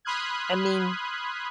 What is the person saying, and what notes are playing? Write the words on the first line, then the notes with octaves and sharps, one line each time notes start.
I mean
B5 C6 D#6 F6 F#6 G#6